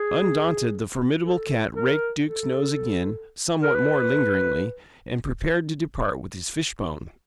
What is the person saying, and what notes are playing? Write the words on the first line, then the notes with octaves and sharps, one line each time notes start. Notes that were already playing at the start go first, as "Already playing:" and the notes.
Undaunted, the formidable cat raked Duke's nose again, somewhat more lingeringly, and prepared to depart with his fishbone.
Already playing: G#4
A4
A#4
A4
A#4
B4